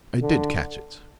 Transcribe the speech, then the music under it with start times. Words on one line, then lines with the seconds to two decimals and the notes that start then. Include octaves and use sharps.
I did catch it.
0.22 D3